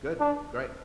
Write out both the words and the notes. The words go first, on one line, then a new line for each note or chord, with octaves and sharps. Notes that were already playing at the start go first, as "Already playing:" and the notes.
Good. Great.
D4